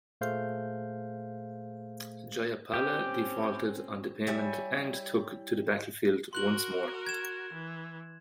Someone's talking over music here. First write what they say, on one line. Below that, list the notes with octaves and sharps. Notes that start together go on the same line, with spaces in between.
Jayapala defaulted on the payment and took to the battlefield once more.
A#2 A3 G#4 C5 F5 G6
C4 C#4 G4
G3 E4 C#5 G#5
F#4 A#4 C6 F#6 F#7
G#6 E7
E3